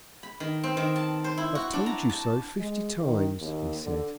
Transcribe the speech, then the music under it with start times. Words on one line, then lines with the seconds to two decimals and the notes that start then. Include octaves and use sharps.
"I've told you so fifty times," he said.
0.23 B5
0.40 D#3
0.63 C4
0.77 D#3
0.96 A5
1.24 C5
1.37 E4
1.55 F#4
1.73 D4
1.86 A#5
2.09 A5
2.59 G#3
2.99 D#3
3.39 D#2
3.84 D3